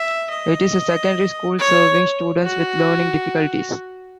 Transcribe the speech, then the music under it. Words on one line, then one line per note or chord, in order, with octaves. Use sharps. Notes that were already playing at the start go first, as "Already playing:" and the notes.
It is a secondary school serving students with learning difficulties.
Already playing: E5
D#5
C#5
F#4